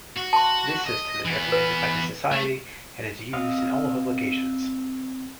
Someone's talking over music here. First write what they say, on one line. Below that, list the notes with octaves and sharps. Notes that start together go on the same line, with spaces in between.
This system is recommended by the society and is used in all publications.
F#4
A5 C6
D#5
E3 B3
B4
A3
C4 D#5 F5